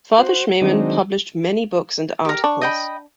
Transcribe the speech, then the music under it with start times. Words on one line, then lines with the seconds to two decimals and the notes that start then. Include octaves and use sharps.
Father Schmemann published many books and articles.
0.18 F#4 C5
0.62 D#3 F#3 G#3 C4 D4 D#4
2.25 G4 A#4
2.44 D4 C#6
2.61 D#5 G5 B5